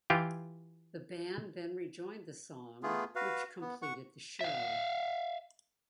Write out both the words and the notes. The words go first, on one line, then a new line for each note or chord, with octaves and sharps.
The band then rejoined the song, which completed the show.
E3 F4 G4
A3 B3 F4 G#4
F#4 B4 F5
B3
F#5 C#6
E5 F5